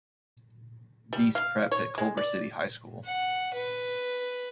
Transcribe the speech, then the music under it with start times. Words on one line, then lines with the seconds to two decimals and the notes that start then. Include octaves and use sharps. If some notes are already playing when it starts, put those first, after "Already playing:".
Deese prepped at Culver City High School.
1.13 G3
1.35 F5
1.71 C#5
1.98 G#3
2.17 D5
3.05 F#5
3.54 B4